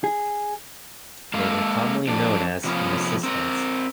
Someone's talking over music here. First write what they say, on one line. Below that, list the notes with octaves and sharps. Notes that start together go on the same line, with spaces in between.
They were commonly known as "Nacistas".
G#4
G#3 A#3 A4 F5
F2 D4
C3 F3 F#3 A#3 B3 C#4
C4 A#4